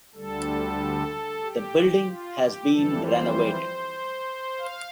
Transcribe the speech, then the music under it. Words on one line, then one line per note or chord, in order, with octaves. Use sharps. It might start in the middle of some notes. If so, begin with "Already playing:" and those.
The building has been renovated.
D2 D3 G3 A4
G4
F4
G4
F2 E3 G3 A4
C5
F5